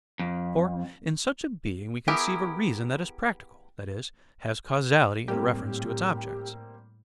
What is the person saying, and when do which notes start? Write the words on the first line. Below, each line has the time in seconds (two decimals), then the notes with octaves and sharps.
For in such a being we conceive a reason that is practical, that is, has causality in reference to its objects.
0.19 F2
2.08 B3 E4 G4 G#4 A#4
5.28 A2 G3 A#3 C4 G4